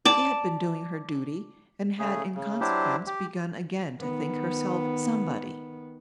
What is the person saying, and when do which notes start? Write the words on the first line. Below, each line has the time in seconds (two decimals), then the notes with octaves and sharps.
She had been doing her duty, and had in consequence begun again to think herself Somebody.
0.05 D5 A5
1.99 C#3 A3 G#4
2.35 C#3
2.61 F#3 D4 E4 G4 C5
3.07 G4
4.00 D#3 B3